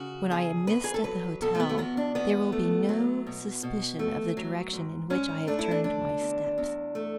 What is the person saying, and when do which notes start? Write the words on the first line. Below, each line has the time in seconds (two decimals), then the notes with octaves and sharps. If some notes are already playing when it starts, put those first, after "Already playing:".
When I am missed at the hotel, there will be no suspicion of the direction in which I have turned my steps.
Already playing: C#3 F#4
0.30 E2 G#4
0.67 E2 B4
0.84 G#4
0.94 A4
1.04 F#3 B4
1.41 B2 A4
1.55 A3
1.60 B3
1.69 A3
1.78 E2 B3
1.97 D4
2.15 E2 B3
2.52 A3
2.89 F#3
3.26 B2
3.63 B2
3.99 A3
4.37 F#3
4.73 G#2
5.10 G#2 C#4
5.47 A3 D4
5.59 E4
5.71 D4
5.84 D3 D4
6.21 E2
6.58 E2
6.95 A3